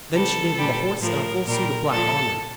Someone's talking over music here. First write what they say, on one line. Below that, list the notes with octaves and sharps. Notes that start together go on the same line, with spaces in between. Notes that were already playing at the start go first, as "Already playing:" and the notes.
Then she gave him a horse and a full suit of black armour.
C3 G3 A4
A#2 G3
A2 F3 A#4
A#2 G3 A#4
A#2 A4
F3